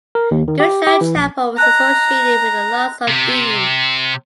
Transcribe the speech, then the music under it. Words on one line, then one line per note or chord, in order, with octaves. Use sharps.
Goodshaw Chapel was associated with the Larks of Dean.
A#4
D#2
D#3
G4
G4
E3
A#1
D#5 A5 A#5 F#6
C3